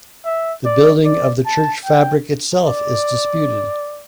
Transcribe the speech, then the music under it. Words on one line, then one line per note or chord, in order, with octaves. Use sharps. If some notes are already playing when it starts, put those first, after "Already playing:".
The building of the church fabric itself is disputed.
E5
D5
D5
A5
G5
D5